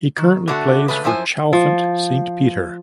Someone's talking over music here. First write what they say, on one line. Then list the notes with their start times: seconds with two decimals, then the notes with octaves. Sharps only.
He currently plays for Chalfont Saint Peter.
0.18 D#3
0.48 D3 A3 F#4
0.88 C#3 G#3 A3 B4
1.04 F#2 F3 E4 C5 G#5
1.53 F3